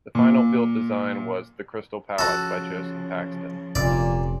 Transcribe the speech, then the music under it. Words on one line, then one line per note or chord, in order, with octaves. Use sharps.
The final built design was "The Crystal Palace" by Joseph Paxton.
A#2
C#3 F3 F#4 A4
F1 A#2 D5